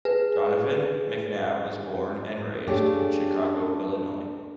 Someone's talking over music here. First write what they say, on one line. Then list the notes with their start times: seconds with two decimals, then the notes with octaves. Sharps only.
Donovan McNabb was born and raised in Chicago, Illinois.
0.05 G#4 B4
2.67 A3 D4 F4 G4 G#4 C#5